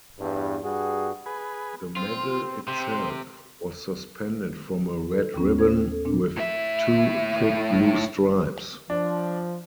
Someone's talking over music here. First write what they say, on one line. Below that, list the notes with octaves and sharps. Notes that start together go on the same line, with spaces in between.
The medal itself was suspended from a red ribbon with two thick blue stripes.
E2 G2
G2 F#4 G#4
G#4 B4
C4 F4
C3 C5 G5
A4
D#2 B3 C#4
C5 G#6
A4
A#2 G#3 C4 D4
A2 E5
F3 D4